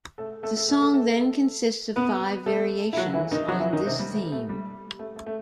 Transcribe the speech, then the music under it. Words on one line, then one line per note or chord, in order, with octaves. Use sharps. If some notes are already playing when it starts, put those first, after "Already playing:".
The song then consists of five variations on this theme.
A3 A4
A3 A4
A3 A4
A3 A4
A3 A4
A3 A4
B3 B4
A3 A4
E4
F#3 F#4
E3 E4
D#3 D#4
F#3 F#4
E3 E4
D#3 D#4
C3 C4
G3
A3
A3
G3
A3
A3
A3